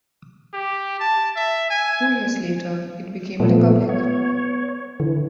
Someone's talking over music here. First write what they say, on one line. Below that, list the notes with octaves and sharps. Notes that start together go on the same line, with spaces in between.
Two years later it became a republic.
G4
A5
E5
G#5
A#2 F3 A3 B3
B3 C#5
D3 E3